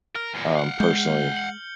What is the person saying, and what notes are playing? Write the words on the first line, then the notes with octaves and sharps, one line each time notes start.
um, personally
A#4 F6
E2 A#2
F5 F#5
G#3 G6 G7
C#7 F#7